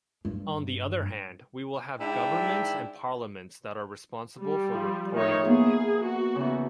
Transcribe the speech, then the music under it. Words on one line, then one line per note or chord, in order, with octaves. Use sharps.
On the other hand, we will have governments and parliaments that are responsible for reporting to people.
G2
G#2 D4 E4 G5
G3
F3
A2 D#3 D#4 C#5
A#3 B3 G#4
F#4
E2 C#3